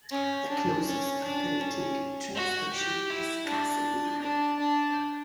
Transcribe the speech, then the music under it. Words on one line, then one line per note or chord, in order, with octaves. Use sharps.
The closest operating train station is Castlemaine.
C#4
D4
C#4
D4
C#4
F#4
G4
E4
D4
D4
D4